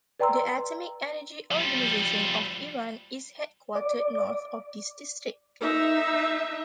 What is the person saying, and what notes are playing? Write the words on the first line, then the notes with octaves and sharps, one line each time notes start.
The Atomic Energy Organization of Iran is headquartered north of this district.
B4 D5 G5 A#5 C6 E6
F3 G3
D5
D#4 E5